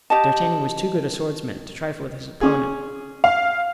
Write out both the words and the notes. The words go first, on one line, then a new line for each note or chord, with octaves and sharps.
D'Artagnan was too good a swordsman to trifle with his opponent.
G4 D#5 A5
C#4 G#4
F5